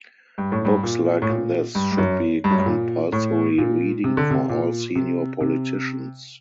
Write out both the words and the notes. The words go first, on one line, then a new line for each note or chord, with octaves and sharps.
Books like this should be compulsory reading for all senior politicians.
G2
A2
G2
A#2
A2
A#2
G2
G2
F#2
G2
F#2
G2
A#2
A2
A#2
C3
D3
C3
A#2
C3
C3